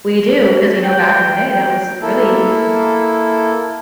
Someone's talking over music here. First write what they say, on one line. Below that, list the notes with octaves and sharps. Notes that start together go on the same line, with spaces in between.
we do 'cause, you know, back in the day, that was really
G5
A#3 E4 A4